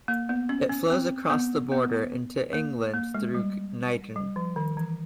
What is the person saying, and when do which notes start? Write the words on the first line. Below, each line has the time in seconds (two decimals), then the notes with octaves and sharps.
It flows across the border into England through Knighton.
0.08 A#3
0.29 B3
0.49 C#4
0.69 C#4
0.90 C4
1.30 B3
1.72 B3
2.53 A#3
2.94 A#3
3.14 G#3
3.34 G3
4.16 G3
4.36 F3
4.56 D#3
4.77 E3